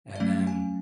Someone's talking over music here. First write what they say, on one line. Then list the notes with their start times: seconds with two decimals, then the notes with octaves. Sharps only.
And then
0.16 D5
0.20 F#3 A3 C#4 F5
0.47 G#5